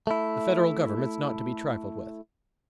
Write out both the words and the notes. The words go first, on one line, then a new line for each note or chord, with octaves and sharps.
The Federal Government's not to be trifled with.
A3 E4